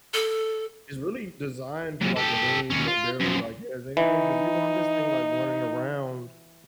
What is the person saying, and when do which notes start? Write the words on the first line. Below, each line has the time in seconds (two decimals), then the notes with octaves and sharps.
it's really designed for, like, a room that barely, like has anything, 'cause you want this thing like running around
0.14 A4
2.01 F#2 A#2
2.16 G4 A4
2.70 D#2 C#4
2.88 F4
3.20 F#2 F3
3.97 E3 D#4